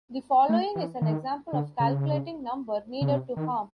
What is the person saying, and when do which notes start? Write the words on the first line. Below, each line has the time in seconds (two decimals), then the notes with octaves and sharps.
The following is an example of calculating number needed to harm.
0.49 A3
0.75 E3
1.02 D#3
1.53 D3
1.80 C#3
3.01 C#3
3.10 C3
3.37 D#3